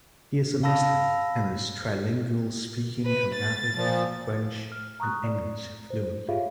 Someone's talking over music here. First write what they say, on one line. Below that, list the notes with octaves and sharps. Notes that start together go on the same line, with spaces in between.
He is a Muslim, and is trilingual speaking Arabic, French and English fluently.
F5 A5 B5 E6 A#6
B4
A6
A#2 F3
F6
A#5 C#6 D#6 F#6
D5
C5
F4 G4 G#4 C#5 E5 F5